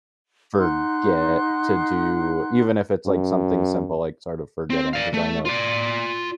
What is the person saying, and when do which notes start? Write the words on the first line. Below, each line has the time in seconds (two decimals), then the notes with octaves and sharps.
forget to do even if it's like something simple, like sort of forgetting 'cause I know,
0.57 D#4 F#5 C6 F#6
3.06 F#2
4.70 C4
4.93 D5 F5
5.14 A3
5.45 F4 D5